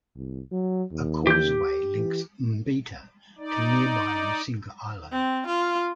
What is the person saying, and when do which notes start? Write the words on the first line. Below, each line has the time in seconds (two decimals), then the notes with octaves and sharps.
A causeway links Mbita to nearby Rusinga Island.
0.16 C2
0.52 F#3
0.91 D#2
1.27 G4 G6
1.94 E3
3.38 D#4 D5
5.12 C4
5.47 F4